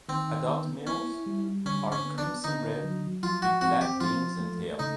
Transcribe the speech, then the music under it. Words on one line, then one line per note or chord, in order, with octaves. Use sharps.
Adult males are crimson-red with black wings and tail.
D#3 C4
B3
C#4 E4
G3
D3 C#4
C#4
B3
D4
D3 D#4
F#3
F3 F4
F#4
C4 F#4
G4
F3 F4
A3
C#3 D#4